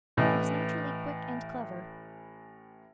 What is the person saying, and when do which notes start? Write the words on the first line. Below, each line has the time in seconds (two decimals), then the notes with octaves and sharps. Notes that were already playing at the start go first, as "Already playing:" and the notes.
She was naturally quick and clever.
0.17 A1 A2 E3 D#5